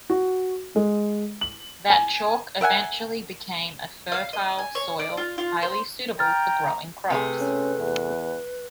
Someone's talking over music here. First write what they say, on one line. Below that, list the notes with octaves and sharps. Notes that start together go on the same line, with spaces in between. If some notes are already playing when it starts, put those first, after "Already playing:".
That chalk eventually became a fertile soil highly suitable for growing crops.
F#4
G#3
F#7
G#5
A#4 E5 F#5 G#5
F5
D#5
G#5
C#5
D5
F4
F4
C5
G5 A#5 F6 A6
C3 A3 G#4 B4
C#4
E2